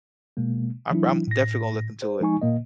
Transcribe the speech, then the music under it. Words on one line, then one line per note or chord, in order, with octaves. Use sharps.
I, from definitely gonna look into it.
B2 G#3 A#3
E3 F#3 D4 E4
A2 A#6
C5
F3 G#3 D#4 G#5 C#6
A#2 A#3 D#5